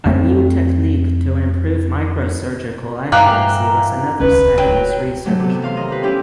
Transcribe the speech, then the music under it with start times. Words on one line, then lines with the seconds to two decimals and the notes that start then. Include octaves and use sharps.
A new technique to improve microsurgical accuracy was another step in his research.
0.06 F2 A3 C4
3.12 G2 E3 F5 G5 A#5 D6 F#6
4.20 D#1 C#2 C#4 B4
4.58 F#3 G5
5.25 D3 F#3 A3
5.40 C3 B3
5.62 E3 F5 C6
5.75 D#3 D#5
5.88 F4 G4 B4
6.03 C#4 E4 G4 B4